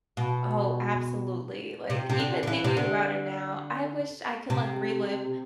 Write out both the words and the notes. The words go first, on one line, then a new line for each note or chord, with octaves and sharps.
Oh, absolutely, like, even thinking about it now, I wish I could, like, relive
B2
C3
C3
D3
D3
E3
C3
D3
C3